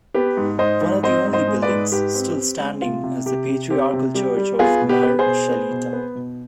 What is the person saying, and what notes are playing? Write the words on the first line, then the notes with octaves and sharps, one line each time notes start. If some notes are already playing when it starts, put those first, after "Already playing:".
One of the only buildings still standing is the Patriarchal church of "Mar Shalita".
B3 G4 B4
G#2
G#2 C5 D#5
G#2
C4 C5 D#5
G#2
C5 D#5
G#3
B4 D5
G#2
G#2 G4 B4
C4
C4
G#3
C3 F4
C3
C3 G4
C3
C4 G4
C3
G3 G4
G3
B3 F4 G#4
B2
G4 B4
B3
G#4 C5
B2
B3
B2
B3
B2